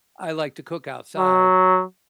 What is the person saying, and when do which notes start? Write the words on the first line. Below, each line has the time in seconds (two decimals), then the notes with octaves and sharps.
I like to cook outside
1.18 F#3